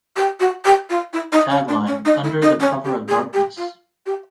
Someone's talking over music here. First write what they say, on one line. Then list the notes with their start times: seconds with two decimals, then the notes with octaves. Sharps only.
Tagline: "Under the cover of darkness".
0.16 G4
0.40 F#4
0.64 G4
0.89 F4
1.13 E4
1.32 D#4
1.50 C#4
1.68 D4
1.86 C#4
2.05 D#4
2.23 E4
2.41 D#4
2.60 C#4
2.84 G4
3.08 G#4
3.33 G4
3.56 F4
4.05 G4